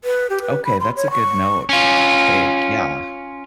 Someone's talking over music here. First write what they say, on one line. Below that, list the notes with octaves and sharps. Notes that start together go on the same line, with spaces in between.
Okay, that's a good note to take. Yeah.
B4
G4
B4
B5
C6
C#5
C#6
C#4 F4